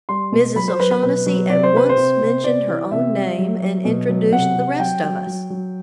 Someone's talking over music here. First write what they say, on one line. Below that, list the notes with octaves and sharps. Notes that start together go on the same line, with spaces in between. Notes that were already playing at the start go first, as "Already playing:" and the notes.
Mrs. O'Shaughnessy at once mentioned her own name and introduced the rest of us.
G3 C6
B2
F#3 B5
C5
F#3 B4
B4
B2 B4
F#3
C3 D5
C5
C3 B4
C5
C3
C3
C3 D5
E3
C3 E5
G3
F#3
F#3
B2
F#3
C3 F#5
C3
F#3 G5
F#3
F#3
F#3